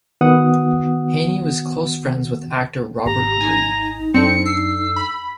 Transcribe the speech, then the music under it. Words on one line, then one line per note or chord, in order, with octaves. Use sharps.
Haney was close friends with actor Robert Reed.
D#3 B3 F#4 F#5 D#6
G#1 G4 A#5
D#4 G#5
F#2 C4 D4 A4 C#7
E6 C7
B5